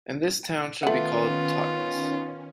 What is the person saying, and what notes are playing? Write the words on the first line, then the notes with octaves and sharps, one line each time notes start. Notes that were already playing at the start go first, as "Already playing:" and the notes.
And this town shall be called Totnes.
D#3 A3 B3 C#4 F4 F#5